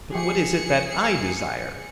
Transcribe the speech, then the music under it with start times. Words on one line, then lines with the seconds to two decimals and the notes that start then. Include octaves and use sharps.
But what is it that I desire?
0.13 F3 G4 G#4 C#7